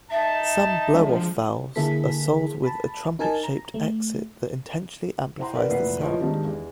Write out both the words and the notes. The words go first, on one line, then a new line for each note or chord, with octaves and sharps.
Some blowoff valves are sold with a trumpet-shaped exit that intentionally amplifies the sound.
D#4 E5 A5
F3 G#3 D4
D3 A#3 E4 G#4 A4 B6
A5 B5
D#4 A#4 G#5 A5
A#5
A3
E4 C5 F#5 G5 A#5 C6
A#4 B4 D5 F#5
F1 A#2 E3 B4 F#5 C7
F3 E4 F4 B4 C#5 D#5
G#2 D#3 D4 G4
E2